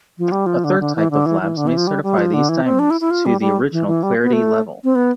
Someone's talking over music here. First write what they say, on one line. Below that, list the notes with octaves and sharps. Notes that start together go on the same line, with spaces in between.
A third type of labs may certify these diamonds to the original clarity level.
F3
G3
F3
D3
D3
E3
D3
E3
E3
D3
E3
F3
G3
G3
F3
D3
E3
C4
D4
E4
E4
F4
G3
G3
E3
E3
G3
B3
A3
C4
B3